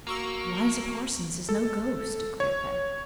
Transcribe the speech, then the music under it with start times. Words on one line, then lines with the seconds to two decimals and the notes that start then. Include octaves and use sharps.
"Eliza Parsons is no ghost," declared Beth.
0.07 A#3 F#4 A#5 C#6 E6
1.49 A4
2.40 C#5